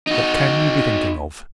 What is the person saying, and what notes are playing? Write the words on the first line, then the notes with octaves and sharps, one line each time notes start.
What can you be thinking of?
D#4 F#4